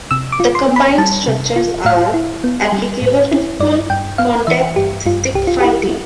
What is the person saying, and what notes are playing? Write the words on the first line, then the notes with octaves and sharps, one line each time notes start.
The combined structures are applicable to full contact stick fighting.
C3 E6
D6
F4
C6
B3
B5
G3 A5
C3
F4
A2 F5
E4
B3
G3
A2
E4
G2 D5
G2 G5
B3 F5
E3 E5
G2 G4
G2 F4
C2 G4
F4
E4 G4